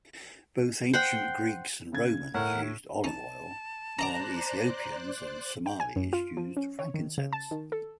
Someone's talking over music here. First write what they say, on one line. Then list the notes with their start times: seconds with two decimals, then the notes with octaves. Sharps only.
Both ancient Greeks and Romans used olive oil, while Ethiopians and Somalis used frankincense.
0.93 C5 F#5 G5
1.93 C#3 G#6
2.34 A2 A#4 F#5
3.04 C#4 D#4 A5
3.99 C#4 C5 D5 D#5 A#5 D6 F#6
5.66 G5
5.80 G#5
5.96 F#2
6.13 F4
6.37 F3
6.57 C#4
6.79 C#5
6.94 D#3
7.18 C#3
7.33 A5
7.51 D#3
7.72 A4